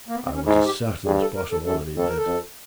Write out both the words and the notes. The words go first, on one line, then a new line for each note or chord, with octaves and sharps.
I was as certain as possible that he did.
A#3
B3
C4
C#4
G#2 E4
G4
G2 G#4
A4
A#4
A4
F#2 A4
F2 A4
A#4
A4
F2